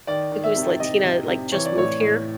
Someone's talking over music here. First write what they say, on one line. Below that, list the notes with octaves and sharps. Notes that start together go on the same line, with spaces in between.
who's Latina, like, just moved here
D#3 D5
D#3
E5
C3
C3 D#5
C3
C3
E3 C#5
D5
A2 C#5
A2